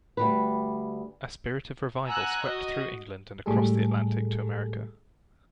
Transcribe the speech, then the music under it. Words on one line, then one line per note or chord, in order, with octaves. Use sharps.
A spirit of revival swept through England and across the Atlantic to America.
D2 G3 B4
F#5 G#5 A#5 E6 F#6
F#4 D#5
A2 G3 G#3 G#4 A4